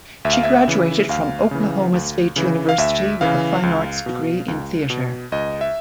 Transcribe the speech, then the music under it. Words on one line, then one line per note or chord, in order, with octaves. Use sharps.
She graduated from Oklahoma State University with a fine arts degree in theater.
D2 E5
F5
E5
C#3 E3
D2 F5
C#3 E3
D2
C#3 E3
F5
D2 E5
C#3 E3 F5
C#2
B2
C#2
B2
C#2 D#5
E5